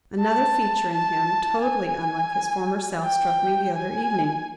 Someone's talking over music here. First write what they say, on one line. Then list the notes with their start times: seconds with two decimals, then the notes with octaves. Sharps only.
Another feature in him, totally unlike his former self, struck me the other evening.
0.20 A5
0.92 A5
1.62 G#5
3.04 G5
3.75 G#5